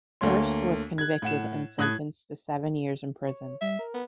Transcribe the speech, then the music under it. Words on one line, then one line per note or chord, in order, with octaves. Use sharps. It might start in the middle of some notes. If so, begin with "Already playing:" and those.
Hearst was convicted and sentenced to seven years in prison.
D2 A3 A#3 C#5 C6
F#6 G#6
A2 F#5 E7
A2 D#6 F#6 G#6
C#5
G3 E5
A#4
B3